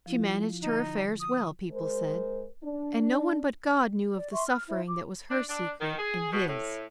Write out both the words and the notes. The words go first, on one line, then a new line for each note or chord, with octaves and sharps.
She managed her affairs well, people said, and no one but God knew of the suffering that was her secret and His.
F3 E4 F4
D3 D#4
D#6
G#3 A#4 C5
D4
D5
E5 C6 C#6
F6
E4 C5 E5
D6
D4
D4
D#3
G#4
B2
A2